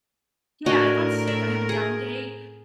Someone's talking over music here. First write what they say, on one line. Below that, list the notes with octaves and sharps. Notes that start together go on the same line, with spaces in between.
yeah, if I'm sick, I have a down day,
A2 D4 F#4 A#4 G#5
E5
G#4